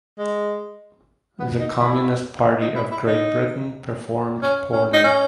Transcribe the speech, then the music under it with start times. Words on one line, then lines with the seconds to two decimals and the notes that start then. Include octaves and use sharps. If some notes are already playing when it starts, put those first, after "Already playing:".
The Communist Party of Great Britain performed poorly.
0.19 G#3
1.39 B3
1.59 D#4
1.80 E4
2.61 D#4
2.75 E4
2.91 E4
3.06 D#4
4.42 C#4
4.72 C#4
4.93 D#4
5.04 C#4